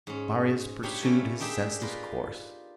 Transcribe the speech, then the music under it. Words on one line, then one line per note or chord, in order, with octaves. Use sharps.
Marius pursued his senseless course.
G#2 C#4
D4 D#4 G4 B4 C#5 F5
A3 A#3 C#4 E4
D4 D#4 G4 G#4 E5
F4 A#4 B4